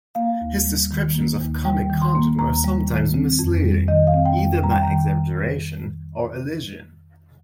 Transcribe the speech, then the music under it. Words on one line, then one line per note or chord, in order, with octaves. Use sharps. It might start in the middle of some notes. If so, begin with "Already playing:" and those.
His descriptions of comic content were sometimes misleading, either by exaggeration or elision.
A#3 F5
D#2
G3
D#3
A#3
D#2
G3 G5
D#3
C6
A#3
D#2 A#5
G3
D#3
C4
F2
G3
D#3 D#5
F5
C4
G5
F2
G3 A#5
G5
A#5
D#3